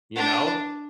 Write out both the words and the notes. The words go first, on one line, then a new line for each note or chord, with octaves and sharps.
you know,
D4